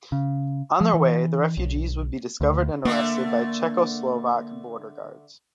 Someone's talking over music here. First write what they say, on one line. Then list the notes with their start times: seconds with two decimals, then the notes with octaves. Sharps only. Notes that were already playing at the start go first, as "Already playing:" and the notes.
On their way the refugees would be discovered and arrested by Czechoslovak border guards.
0.12 C#3
0.81 F3
0.94 E3
1.57 B1
2.41 D2
2.85 D3 A3 A#3